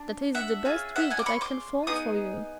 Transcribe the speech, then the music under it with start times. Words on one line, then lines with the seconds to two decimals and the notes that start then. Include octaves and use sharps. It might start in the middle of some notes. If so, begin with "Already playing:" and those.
That is the best wish that I can form for you.
Already playing: D4
0.35 E5 F#5
0.65 C#4 F4 G#4
0.96 E5 F#5
1.10 F#5 G#5
1.19 D6
1.26 B5 C#6
1.41 C6 D6
1.87 B3 D#4 G#4 D#6